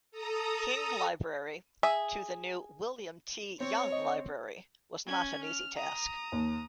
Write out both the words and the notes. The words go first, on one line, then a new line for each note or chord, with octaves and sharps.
King Library to the new "William T. Young Library" was not an easy task.
A4 A#5 D#6
G#4 E5
C4 C#5
D#5
C#4 G#6
F6
A#5 D#6
D#2